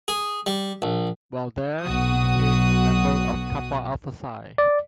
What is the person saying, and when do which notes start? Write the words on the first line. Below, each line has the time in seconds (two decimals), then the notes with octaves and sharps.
While there he became a member of Kappa Alpha Psi.
0.08 G#4
0.46 G3
0.82 A#1
1.84 B1 F#3 F#4 D#6
4.58 D5